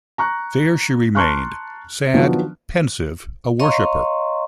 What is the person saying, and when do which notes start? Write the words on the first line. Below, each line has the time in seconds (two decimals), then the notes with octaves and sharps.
There she remained — sad, pensive, a worshipper.
0.18 A#5 C#6 F#6
1.15 A5 A#5 C6 C#6 F6 F#6
2.14 D#3 F3 F#3 B3 D4
3.59 C#5 D#5 F5 A#5 C6 C#6